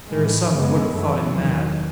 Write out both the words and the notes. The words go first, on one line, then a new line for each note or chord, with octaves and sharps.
There are some who would have thought him mad.
A2 E3 G#3
F#2 C#3 G#3 B3
F#2 E3 A3
E2 D#3 F#3